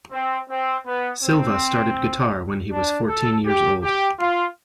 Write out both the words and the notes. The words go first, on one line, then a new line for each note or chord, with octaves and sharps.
Silva started guitar when he was fourteen years old.
C4
C4
B3
C4
D4
A4
G4
G4
F4